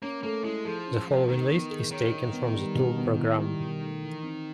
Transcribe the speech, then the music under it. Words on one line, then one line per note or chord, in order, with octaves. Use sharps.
The following list is taken from the tour programme.
A#3 C#4
A3 A#3
G#3 E4
F3 G#4
C#4
A3
D#3 D#4
B3
G#4
D#3 C#5
D#4
B3
G3
B2
B3
E4
G3
B2
A3
E3
C4